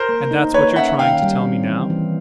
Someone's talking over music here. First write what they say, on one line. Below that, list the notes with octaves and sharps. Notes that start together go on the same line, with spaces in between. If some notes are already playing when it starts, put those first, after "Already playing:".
"And that's what you're trying to tell me now?"
Already playing: A#4 C5
A#3
D#4
A#3 B4 C#5
C#4 E5 F#5
D#3 F5 G5
G3
C4
E3
E3